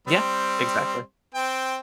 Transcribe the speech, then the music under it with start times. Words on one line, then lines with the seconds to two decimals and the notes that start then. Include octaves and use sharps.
Yeah, exactly.
0.07 G3 C4 C6
1.34 C4 G5